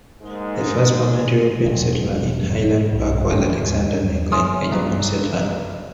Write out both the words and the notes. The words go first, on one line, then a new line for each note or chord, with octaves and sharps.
The first permanent European settler in Highland Park was Alexander Negley, a German settler.
G#2 G#3 A#3
E1 F#3
B1 G2
D#2 A2 D#3 G#3
D#2
C#5 E5 G#5 C6 D#6 F6
B1 F4